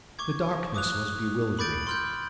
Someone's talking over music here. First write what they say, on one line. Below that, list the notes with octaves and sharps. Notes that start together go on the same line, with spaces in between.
The darkness was bewildering.
C#6 D6 G#6
D6 D#6 F#6 F7
B5 D6 G6 A6 D7 F#7
C6 F6 G6